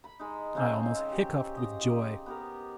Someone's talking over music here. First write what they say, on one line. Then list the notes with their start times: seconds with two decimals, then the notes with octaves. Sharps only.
I almost hiccoughed with joy.
0.04 B5
0.19 G#3 D#4
0.55 C#3 G#3 C4
1.12 G4
1.57 D#5
2.26 B3 G4 A#4